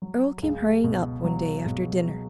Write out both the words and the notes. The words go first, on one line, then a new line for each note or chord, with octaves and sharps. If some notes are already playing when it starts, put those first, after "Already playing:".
Earle came hurrying up one day after dinner.
F#3
C#2
B2
F#3
B2
F#3